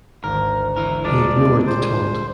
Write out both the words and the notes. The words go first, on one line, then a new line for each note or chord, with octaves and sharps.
He ignored the taunt.
G#1 D2 A#4
E3 E4 A#4
E2 G3 G#3 D4 F4 A#4 D5 B5
A#2 C5